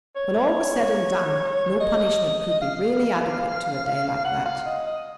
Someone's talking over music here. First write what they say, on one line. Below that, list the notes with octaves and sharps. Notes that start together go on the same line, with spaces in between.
When all was said and done no punishment could be really adequate to a day like that.
C#5
D#5
F5
F#5
F5
D#5
D#5